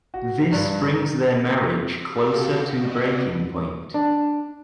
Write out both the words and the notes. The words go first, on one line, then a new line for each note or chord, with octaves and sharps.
This brings their marriage closer to breaking point.
F#4
G2
F#4 G4 A4 F5
B3 F#4 D5 D#5
D4